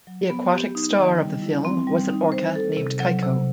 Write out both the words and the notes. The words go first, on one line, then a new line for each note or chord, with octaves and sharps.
The aquatic star of the film was an orca named Keiko.
F#3
B3
G4
D#4
D#3
G3
E4
C4
G3
D#4
C5
A4
C3
F#3
C3